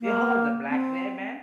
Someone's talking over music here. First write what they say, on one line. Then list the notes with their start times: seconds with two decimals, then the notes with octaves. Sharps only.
'Behold the black gray man!'.
0.01 A#3
0.68 C4